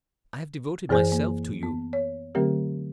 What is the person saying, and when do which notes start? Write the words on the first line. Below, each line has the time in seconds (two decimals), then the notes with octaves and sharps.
I have devoted myself to you.
0.89 F#2 E3 G#4 C5 G#5 G6
1.12 A#3
1.63 B3
1.93 C#5
2.35 D3 F#3 A3 C4 G4 A#4